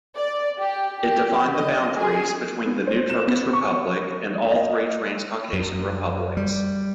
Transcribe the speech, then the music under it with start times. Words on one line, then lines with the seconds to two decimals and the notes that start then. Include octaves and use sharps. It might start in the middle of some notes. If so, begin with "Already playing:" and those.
It defined the boundaries between the new Turkish Republic and all three Transcaucasian republics.
0.16 D5
0.58 G4
1.02 G4
1.55 D#5
1.97 G#4
2.66 B3
2.87 C5
3.10 E7
3.27 B3
3.53 C#6
4.51 D#5
5.53 F#2
6.37 G3